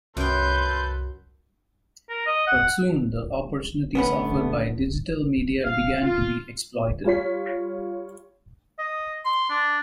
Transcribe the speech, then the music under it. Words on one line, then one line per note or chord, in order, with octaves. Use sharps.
But soon the opportunities offered by digital media began to be exploited.
C2 F#2 A4 B4 G5 C6 G6
A#4
D#5
F#5
D3 A3 B3 C#4 B4
F5
F4
G3 F4 C#5 B6
D#5
C6
D4